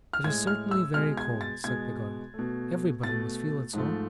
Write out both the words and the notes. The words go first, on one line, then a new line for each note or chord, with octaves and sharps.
'It is certainly very cold,' said Peggotty. 'Everybody must feel it so.'
F6
A2 G#3 G#6
F6
E6
B2 G#3 F6
G#6
A6
B2 G#3 G#6
B2 A3
B2 A3 A6
G#2 F3 A3